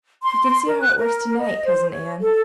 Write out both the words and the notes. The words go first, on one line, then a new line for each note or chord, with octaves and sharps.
"You can see how it works to-night, Cousin Ann!"
C6
C6
A#4
F#6
A#4
D#5
C5
C#5
A4